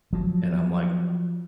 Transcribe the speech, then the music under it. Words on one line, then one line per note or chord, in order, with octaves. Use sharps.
And I'm like,
F3 F#3